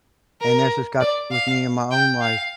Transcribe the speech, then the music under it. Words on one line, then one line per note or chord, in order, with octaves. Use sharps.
and that's just got with me in my own life.
A#4
D5
F5
G5
F5